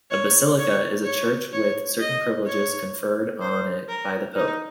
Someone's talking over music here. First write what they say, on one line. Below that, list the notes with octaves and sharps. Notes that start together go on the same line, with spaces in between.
A basilica is a church with certain privileges conferred on it by the Pope.
C#5
C#5
C#5
C#5
D#5
C#5
C5
A#4
D#4